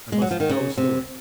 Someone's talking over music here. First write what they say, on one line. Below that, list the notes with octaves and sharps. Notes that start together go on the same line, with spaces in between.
I must tell a story.
G#3
F#3
F3
D#3
C#3
C3